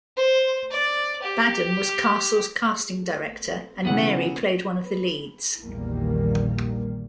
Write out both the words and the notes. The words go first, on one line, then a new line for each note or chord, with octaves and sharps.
Badham was Castle's casting director, and Mary played one of the leads.
C5
D5
G4
B1 C#3 E3 B3 F#5
A#1 E2 D#3 G3 A#3